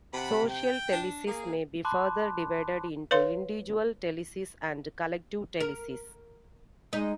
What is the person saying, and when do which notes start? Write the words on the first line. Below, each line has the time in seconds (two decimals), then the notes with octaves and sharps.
Social telesis may be further divided into individual telesis and collective telesis.
0.13 C3 F#5 A5 B5
0.50 G5
0.92 D4
1.27 A#3 G#4
1.85 A5 B5 C6 D6 F#6
3.11 B4 C#5 F5 C6
5.60 A#4
6.93 G#3 D#4